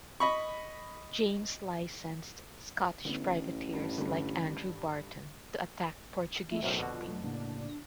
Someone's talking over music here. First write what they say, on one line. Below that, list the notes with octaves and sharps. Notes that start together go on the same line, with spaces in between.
James licensed Scottish privateers like Andrew Barton to attack Portuguese shipping.
D#5 B5 C#6
A1 D3 B3
G2
G2 D3
G#3 A3 E4
B1 F#2 A2 C5 E5 F6
F2 B2 D3 F#4
F#3 A3
A2 C#3 A#3 D4